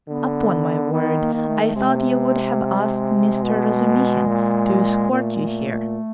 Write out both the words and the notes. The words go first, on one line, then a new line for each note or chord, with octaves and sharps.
Upon my word, I thought you would have asked Mr. Razumihin to escort you here.
D3 B3
D#3 B3
A#3
D#3
A3
C3 G#3
A3
G#3
B2
A#2
A#2 A#3
A3
G#3
A3